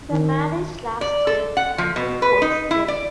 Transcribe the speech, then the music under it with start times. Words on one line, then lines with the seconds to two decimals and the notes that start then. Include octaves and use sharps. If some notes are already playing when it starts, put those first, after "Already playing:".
The marriage lasted until Cole's death.
0.11 D#3
1.01 D5
1.27 A4
1.57 F#5
1.78 F3
1.96 B2
2.22 B4
2.42 D#4
2.71 E4
2.88 D5